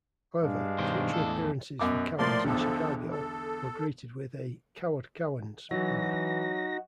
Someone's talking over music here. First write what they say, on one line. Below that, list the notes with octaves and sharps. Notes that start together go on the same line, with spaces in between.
However, future appearances for Cowens in Chicago were greeted with a "Coward Cowens" banner.
G2 G#3 D4 F5
B2 D#3 C5
E2 A2 A4
F#2 B2 D6
A2 F3 A#3 D5 C6
B1 E2 D3 F3 A4
A4
E3 F#3 D#4 F#4 A#6